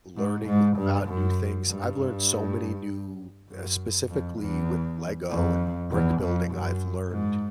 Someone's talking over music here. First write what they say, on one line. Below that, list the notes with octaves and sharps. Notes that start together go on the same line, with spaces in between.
learning about new things. I've learned so many new eh, specifically with Lego and brick building, I've learned
G#2
G#2
G2
F#2
G2
F#2
F2
E2
F2
E2
F2
F#2
G#2